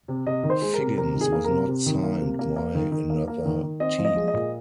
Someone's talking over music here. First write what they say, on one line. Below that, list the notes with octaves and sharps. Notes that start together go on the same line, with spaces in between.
Figgins was not signed by another team.
C3
C3 D#5
D#3
C5
G#3
A#4
C3
C3 A#4
D#3
G#4
A#3
A#4
C3
C3
D#3
A#3
C3
A#3
A#3
D#3
D#3
A#3
A#3
D#3
D#3
C4 D#5
F3
D#5
G#3
D#5
A#2